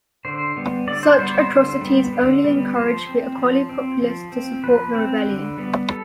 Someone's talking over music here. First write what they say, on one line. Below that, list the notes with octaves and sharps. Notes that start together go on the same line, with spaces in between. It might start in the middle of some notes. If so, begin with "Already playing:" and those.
Such atrocities only encouraged the Acholi populace to support the rebellion.
D3 C5
G3 B3
D3 D5
C5
G3 B3 C5
C5
D3 C5
G3 B3
D3
G3 B3
F3 C5
C4
F3
C4
F3
C4
F3 B4
C4
D3
G3 B3
A4